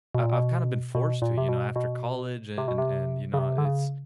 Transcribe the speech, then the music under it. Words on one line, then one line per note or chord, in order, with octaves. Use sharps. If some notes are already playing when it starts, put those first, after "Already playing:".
I I've kinda been forced to, you know, after college and and, you know, it's,
B2
A#2
B2
B2
A#2
C3
B2
B2
C3
B2
C3
C#3
C3
D3
C#3